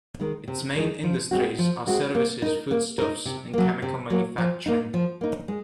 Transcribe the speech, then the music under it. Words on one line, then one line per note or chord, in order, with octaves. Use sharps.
Its main industries are services, foodstuffs and chemical manufacturing.
D#3 G#3 D#4
C3
D#3 G#3 D#4
F3
G#3 C4 F#4
F3
G#3 C4 F#4
A#3
D#4 A#4
A#3
D#4 A#4
C3
F#3 A#3
C3
F#3 A#3
F3
A#3 D#4
F3
A#3 D#4
G#3